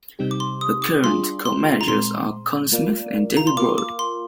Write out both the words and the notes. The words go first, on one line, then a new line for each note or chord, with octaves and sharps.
The current co-managers are Colin Smith and David Brolly.
C3 G3 C4 D#4 G4
D6
C6
D#6
D6
G3 D4 F4 G#4 C6
C6
A#5
A#2 G#3 C4 C6
A#3 F4 A#4 D5 F5
A#5
C6
A#3 F4 A#4 F5 D6
D6
C6